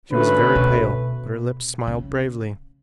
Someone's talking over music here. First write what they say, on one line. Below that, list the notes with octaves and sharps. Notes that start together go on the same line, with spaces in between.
She was very pale but her lips smiled bravely.
D3 A3 C#4 F#4 B4
B2
C#3